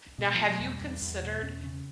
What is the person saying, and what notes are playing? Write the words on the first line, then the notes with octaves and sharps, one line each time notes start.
Now, have you considered
B2
B2 F3
F#3
E2
G3
E2
E2
B2
E2 C#4
C#3 C#4